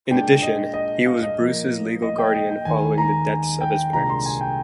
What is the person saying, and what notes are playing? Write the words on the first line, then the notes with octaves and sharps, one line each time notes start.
In addition, he was Bruce's legal guardian following the deaths of his parents.
A#2 G#3 D4 G5
D#5
D#5
F5
D#5
A#2 F3 A#3
D#5
G5
D#5
G5
D#2 D#3 G#3 G#5
A#5
G#5
G5
C2 A#2 G#3 D4 A#5
C6
G#5
G5